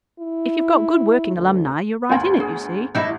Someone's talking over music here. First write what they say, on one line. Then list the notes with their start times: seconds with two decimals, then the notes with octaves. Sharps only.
If you've got good working alumni, you're right in it, you see.
0.19 E4
1.35 D2
2.09 G1 D2 F4 G5 B5
2.40 G#4
2.95 A1 G2 D#4 E4